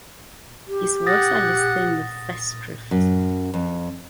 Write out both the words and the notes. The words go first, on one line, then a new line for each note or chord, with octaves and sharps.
His works are listed in the festschrift.
G4
F#5 D#6 A6 A#6
F#2
F2